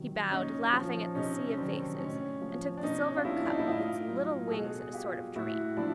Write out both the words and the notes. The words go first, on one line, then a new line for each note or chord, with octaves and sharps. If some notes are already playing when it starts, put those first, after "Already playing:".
He bowed laughing at the sea of faces, and took the silver cup with its little wings in a sort of dream.
Already playing: C3 D#3 F#3
A#2 C#4 D#4
F3
C3 C#4 D#4
C#4
D#3 F#3 C4 D4
A2 C#4
F3
D4
B2 C#4 D#4
F4
G3 D4 E4
D4
D#4
E4
A2 D#4 F4
F#3
A4
B2 F#4 G#4
G3 F4 G4
A2 E4 F#4
F3 D4 E4